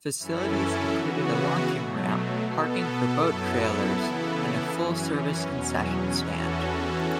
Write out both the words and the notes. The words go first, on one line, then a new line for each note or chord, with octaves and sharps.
Facilities include a launching ramp, parking for boat trailers and a full-service concession stand.
F#2 E3 C#4 E4 A4
C#3 E3 B3 F#4
B2 F#3 A3
B2 B3 A4
F#2 F#3 B3 E4 A4
C#3 E3 B3 E4 A4
F#2 E3 C#4
E2 B2 F#3 C#4
E2 E3 C#4 F#4 A4